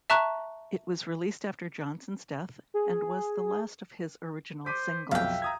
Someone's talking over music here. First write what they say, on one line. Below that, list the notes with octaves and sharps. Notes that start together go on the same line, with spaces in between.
It was released after Johnson's death and was the last of his original singles.
E5 A5 A#5 C#6 F#6
G#4
C5 D6 B6 D#7
B1 F2 E5 F5 G5
A#5 D#6 G#6